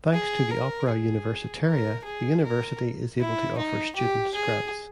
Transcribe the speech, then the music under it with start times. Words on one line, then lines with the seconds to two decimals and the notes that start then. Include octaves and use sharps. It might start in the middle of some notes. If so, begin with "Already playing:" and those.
Thanks to the Opera Universitaria, the University is able to offer students grants.
0.14 G#4
0.51 A#4
0.90 G#4
1.66 A#4
2.04 G#4
2.44 A#4
3.19 E4
3.58 D#4
3.96 G4
4.35 G#4